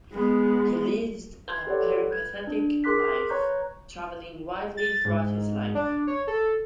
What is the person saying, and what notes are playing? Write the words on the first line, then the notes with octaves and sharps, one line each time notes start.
He lived a peripatetic life, travelling widely throughout his life.
G#3 B3
B4 C6 G#6
G4 A4 B4 C#5 D5 F#5
B4 G6 G#6
D4
G#4 A#4 C6 D6 F#6 B6
B4 C#5 A#5 C#6 F#6 G6
A6
G#2
D4
C#5
A4